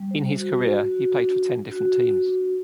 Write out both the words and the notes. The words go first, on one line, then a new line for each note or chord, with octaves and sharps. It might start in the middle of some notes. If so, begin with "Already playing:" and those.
In his career, he played for ten different teams.
Already playing: G3
C5
F#4
F#4
F#4
D4
D4
F#4
F#4
D4